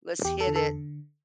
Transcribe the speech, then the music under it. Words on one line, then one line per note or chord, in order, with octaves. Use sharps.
let's hit it,"
E2 G4
A4
D3
A4